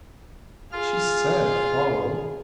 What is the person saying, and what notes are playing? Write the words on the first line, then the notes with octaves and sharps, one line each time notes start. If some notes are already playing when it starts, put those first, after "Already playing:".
"She said--follow."
F4 G#4 F6